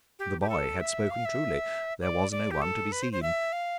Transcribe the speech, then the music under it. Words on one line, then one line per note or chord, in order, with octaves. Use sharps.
The boy had spoken truly; there was no one to be seen.
G4
G4
A4
E5
F5
E5
D5
D5
G4
A4
B4
C5
C5
E5
F5